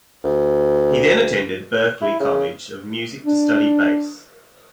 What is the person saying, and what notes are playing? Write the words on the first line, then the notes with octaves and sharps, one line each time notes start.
He then attended Berklee College of Music to study bass.
D2
E4
C#3
D4